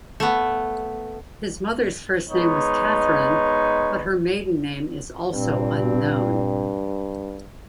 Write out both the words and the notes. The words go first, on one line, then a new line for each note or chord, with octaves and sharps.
His mother's first name was Katherine, but her maiden name is also unknown.
A3 B3
G#3 B3 D#4 C#5
G2 A#2 C4